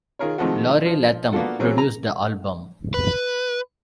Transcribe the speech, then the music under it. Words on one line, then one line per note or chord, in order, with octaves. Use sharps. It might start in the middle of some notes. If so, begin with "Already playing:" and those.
Laurie Latham produced the album.
D#3 F4 G#4 A#4 C#5
C3 D#3 F3 G#3 A3 F#4
F3
A#3 B3 D4 F4 F#4 A4
E3 F#3 C4 C#4 G#4
A#5
B4